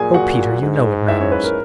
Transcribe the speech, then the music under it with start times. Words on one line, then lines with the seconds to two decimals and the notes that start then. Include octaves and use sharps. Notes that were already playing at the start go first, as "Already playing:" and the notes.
"O Peter, you know it matters."
Already playing: A#2 G#4 G#5
0.14 F#4 F#5
0.62 G#2
1.08 E4 E5
1.20 C#4 C#5
1.32 B4
1.44 A#4